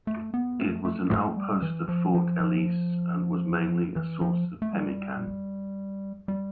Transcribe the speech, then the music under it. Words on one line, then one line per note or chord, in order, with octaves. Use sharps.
It was an outpost of Fort Ellice and was mainly a source of pemmican.
A3
B3
A3
A3
A3
G3
E3
F3
F3
F3
E3
F3
A3
G3
G3